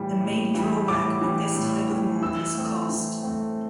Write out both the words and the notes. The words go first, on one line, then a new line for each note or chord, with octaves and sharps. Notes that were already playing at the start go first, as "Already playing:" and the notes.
The main drawback with this type of mold is cost.
Already playing: A2 E3 G3
A2
E3 G3
A2 D6
E3 G3
A2
E3 G3
E3 E6
A3 C4
E3
A3 C4